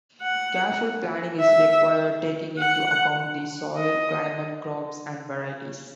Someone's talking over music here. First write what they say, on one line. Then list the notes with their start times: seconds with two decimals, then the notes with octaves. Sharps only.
Careful planning is required, taking into account the soil, climate, crops, and varieties.
0.22 F#5
1.40 E5
2.59 F#5
3.77 D#5